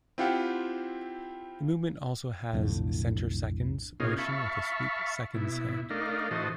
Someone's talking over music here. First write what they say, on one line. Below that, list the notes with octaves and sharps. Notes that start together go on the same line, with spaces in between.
The movement also has centre seconds motion with a sweep seconds hand.
C4 E4 F4 G4 F#5 G5
B1 F2 A2 D3
B2 A#3 C#4 D#4 F4 G#4
E5 F5 A5 B5 C#6
B2 E4
A3 D4 D#4 A#4 F5
A2 E3 F#4 C5 D#5 A5